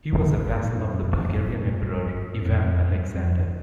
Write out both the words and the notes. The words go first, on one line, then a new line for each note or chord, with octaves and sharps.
He was a vassal of the Bulgarian Emperor Ivan Alexander.
D3
G#2
F#2
F#2
F2
E2
F2
F#2
G2
F2
F2
G2
F2